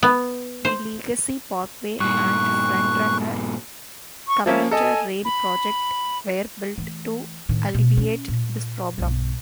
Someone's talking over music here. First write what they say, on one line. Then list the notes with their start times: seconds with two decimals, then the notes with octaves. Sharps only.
The Legacy Parkway and "FrontRunner" commuter rail project were built to alleviate this problem.
0.03 B3
0.65 C5
2.00 G2 A#2 C#6 F#6
4.28 C#6
4.46 F3 A#3 C#4 E5
4.71 A4 D#5 G#5
5.25 B5
6.78 E3 A3
7.49 A2 D#3
7.74 B2
7.97 C#4
8.28 A#2
8.98 B1 G2